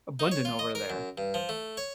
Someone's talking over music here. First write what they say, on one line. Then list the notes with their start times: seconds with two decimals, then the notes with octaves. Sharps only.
abundant over there.
0.19 D#4
0.31 C#5
0.45 F4
0.59 D#5
0.75 A#4
0.90 F#2
1.18 G2
1.34 F3
1.49 A3
1.77 C#5